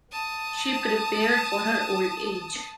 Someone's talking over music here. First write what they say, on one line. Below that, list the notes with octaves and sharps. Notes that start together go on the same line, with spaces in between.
She prepared for her old age.
A5 D#6